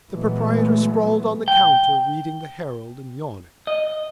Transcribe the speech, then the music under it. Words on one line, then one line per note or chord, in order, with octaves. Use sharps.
The proprietor sprawled on the counter reading the Herald and yawning.
A#2 E3 F#3 G#3 A3 B3
G5
D#5